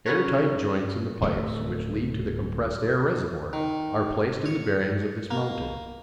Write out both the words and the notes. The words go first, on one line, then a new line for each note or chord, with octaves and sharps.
Air-tight joints in the pipes which lead to the compressed air reservoir are placed in the bearings of this mounting.
C#4 F#4 G#4 A#4 B4 C#5
D1 A3
D#3
C#5
A#3